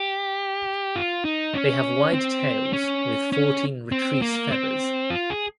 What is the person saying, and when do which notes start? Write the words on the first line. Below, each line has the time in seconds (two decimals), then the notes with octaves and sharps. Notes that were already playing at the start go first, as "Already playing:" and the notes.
They have wide tails with fourteen retrice feathers.
Already playing: G4
0.96 F4
1.25 D#4
1.54 C#4
2.13 C4
2.73 C#4
3.32 C#4
3.92 C4
4.22 A#3
4.52 C4
5.10 F4
5.30 G#4